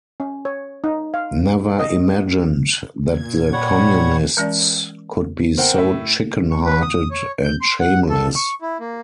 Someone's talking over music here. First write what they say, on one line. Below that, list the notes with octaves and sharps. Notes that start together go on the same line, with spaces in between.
Never imagined that the Communists could be so chicken-hearted and shameless.
C#4
C#5
D#4
F5
D#5
A#2 G#6
G3 C#5 F#5
E3 G#3 C#4 D5
C4 A#4 C5 F#5 G5
A2 E5
C#6
B4
D#6
C#5
G6
C6
F#5
A4
C#6
E4
A#3